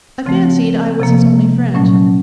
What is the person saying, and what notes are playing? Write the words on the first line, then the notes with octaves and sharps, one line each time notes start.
I fancied I was his only friend.
C#3 F3 A3 C4
C3 F3 A#3
A#2 F#3 A3 C#4